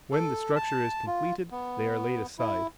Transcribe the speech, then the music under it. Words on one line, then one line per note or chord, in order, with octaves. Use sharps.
When the structure is completed, they are laid aside.
A4
A5
F4
B3
E4